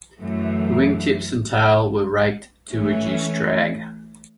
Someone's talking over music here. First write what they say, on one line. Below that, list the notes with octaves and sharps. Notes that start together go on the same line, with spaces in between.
The wingtips and tail were raked to reduce drag.
F#2 E3 A3
E3 A3 C#4